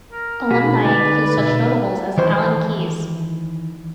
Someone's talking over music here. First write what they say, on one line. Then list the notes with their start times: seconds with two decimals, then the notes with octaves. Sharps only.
Alumni include such notables as Alan Keyes.
0.13 A#4
0.50 B2 A3 F#4 G#4 B5
0.84 D3 D#4 B4 D5
1.38 B2 E5
2.17 D#3 E3 C5